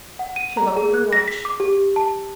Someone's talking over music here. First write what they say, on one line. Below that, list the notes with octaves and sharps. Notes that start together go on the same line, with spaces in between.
She looked at her watch.
F#5
D#7
A#5
G#4
F#6
A#6
B6
D6
G4
A5